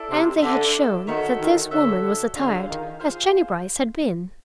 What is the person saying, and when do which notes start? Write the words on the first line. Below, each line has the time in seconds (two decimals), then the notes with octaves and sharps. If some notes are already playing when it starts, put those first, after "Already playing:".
And they had shown that this woman was attired as Jennie Brice had been.
Already playing: E4 A4 D5
0.10 C3
0.42 D3 E4 A4 D5
1.07 D#3 F#4 A4 C#5 E5
1.39 D#3
1.71 D3 F#4 A4 C#5 E5
2.36 D3 F4 G#4 C5 F5
2.68 D#3
3.00 F4 G#4 C5 F5